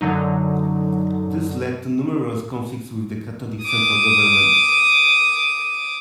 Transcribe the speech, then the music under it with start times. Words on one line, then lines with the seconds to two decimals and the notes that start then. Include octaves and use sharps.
This led to numerous conflicts with the Catholic central government.
0.01 F#2 D3 F#3 D#4
3.64 D6 D#6